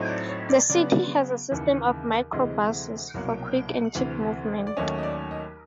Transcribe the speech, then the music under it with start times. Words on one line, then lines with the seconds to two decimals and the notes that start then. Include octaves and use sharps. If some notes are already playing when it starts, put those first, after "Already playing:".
The city has a system of micro-buses for quick and cheap movement.
Already playing: A2 F#3 A3 C4 D#4
0.09 D5
0.29 C#5
0.49 D5
0.69 C#3 F#3 B3 D5
1.51 D#2 C#3 E3
2.32 D2 C3 E3 G#3 D#5
3.14 C2 B2 F#3 A#3
3.95 D2 C3 E3
4.67 D5
4.77 D#2 D#3 F#3 A3 C#4 D#5
4.98 D#5
5.03 D5
5.31 D#5